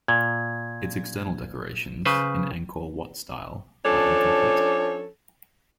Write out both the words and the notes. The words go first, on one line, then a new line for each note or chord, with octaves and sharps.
Its external decorations, in Angkor Wat style, are incomplete.
A#2 G#6
C#3 B4 C5
F3 C#4 D4 A4 C#5